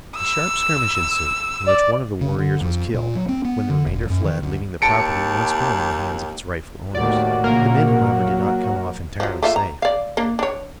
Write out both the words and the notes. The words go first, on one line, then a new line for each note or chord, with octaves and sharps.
A sharp skirmish ensued in which one of the warriors was killed, when the remainder fled, leaving the property once more in the hands of its rightful owners. The men however did not come off entirely safe.
E6
D5
C#3
D3
F2
A#2
F#3
C4
B3
D3
E1
F#2
D#3
D2
D#2 A5 C#7 D7
D#2 A2 D#3 F#4 D5
A#1 C#3 A#3 A#4
F#3
F3 F#3
A3 F4 E5
A#5
D5 F5
A#3 D4
D4 C#5